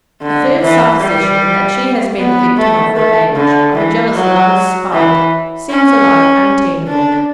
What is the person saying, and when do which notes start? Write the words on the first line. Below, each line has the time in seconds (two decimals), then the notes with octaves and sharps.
A third supposition, that she has been the victim of revenge--of a jealous lover's spite--seems alike untenable.
0.22 D3
0.61 E3
1.00 G3
2.18 B3
2.57 A3
2.96 A3
3.35 D3
3.75 E3
4.13 F#3
4.92 E3
5.71 C#4
6.88 D4